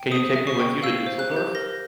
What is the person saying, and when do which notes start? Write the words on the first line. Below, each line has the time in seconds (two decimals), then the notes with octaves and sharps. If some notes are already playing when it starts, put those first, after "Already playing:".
Can you take me with you to Düsseldorf?
Already playing: G5
0.11 C5 D#6
0.36 E5
0.47 C#6
0.60 G5
0.82 F5 E6
1.06 C5
1.19 F#6
1.31 G4
1.36 G6
1.55 A#4 A#6